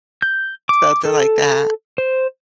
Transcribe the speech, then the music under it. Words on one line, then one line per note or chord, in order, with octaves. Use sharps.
Something like that.
G6
D6
A4
C5